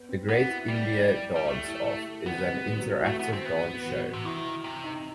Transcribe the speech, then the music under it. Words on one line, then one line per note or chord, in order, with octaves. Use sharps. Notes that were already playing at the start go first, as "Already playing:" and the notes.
The Great India Dance Off is an interactive dance show.
Already playing: B3
C4
B3 F#4
E4
G3
G3
A3 G4
E4
B3 C4
G3
G3
F#3
A3
E4
A3 F#4
B3
C4
B3
F#4
C3
D#3 E4
C3
D#4